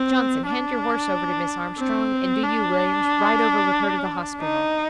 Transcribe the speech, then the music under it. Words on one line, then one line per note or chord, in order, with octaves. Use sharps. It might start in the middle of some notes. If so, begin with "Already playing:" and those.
Johnson, hand your horse over to Miss Armstrong, and do you, Williams, ride over with her to the hospital.
Already playing: C4
D4
C4
D4
D#4